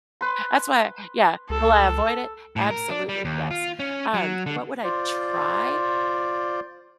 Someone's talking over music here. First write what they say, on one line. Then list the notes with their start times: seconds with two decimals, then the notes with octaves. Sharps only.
that's why I Yeah. Will I avoid it? Absolutely, yes. Um, what would I try?
0.21 B4 C6
1.50 C#2 A4
2.56 A2
2.71 A#4
2.89 D4
3.09 G3
3.25 D#2
3.51 F4
3.79 C#4
4.14 F#3
4.46 D3
4.84 F4 C5 D5